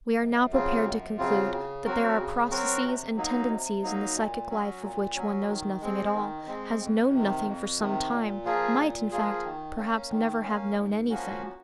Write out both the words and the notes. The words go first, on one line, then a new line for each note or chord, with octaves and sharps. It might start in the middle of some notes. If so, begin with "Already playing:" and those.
We are now prepared to conclude that there are processes and tendencies in the psychic life of which one knows nothing at all, has known nothing for some time, might, in fact, perhaps never have known anything.
F#2
C#3 F#3 C4 F4
F#2
C#3 F#3 C4 F4
C#3
F#3 C4 F#4 A#4
C#3
F#3 C4 F#4 A#4
C3
F#3 A#3 D#4
C3
F#3 A#3 D#4
A#2
F#3 C#4
A#2
F#3 C#4
D#3
G#3 C4
D#3
G#3 C4
F2
C3 D#3
F2
C3 D#3
A#2
F3 A#3 F4 G#4
A#2
F3 A#3 F4 G#4
D#3
A#3 C#4
D#3
A#3 C#4
G#2
F3 A#3 C#4 F#4